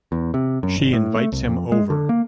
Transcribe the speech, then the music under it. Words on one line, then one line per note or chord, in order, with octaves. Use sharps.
She invites him over.
E2
C3
F#2
G#1
A2
A3
C2
F2
G#3
D3
A#3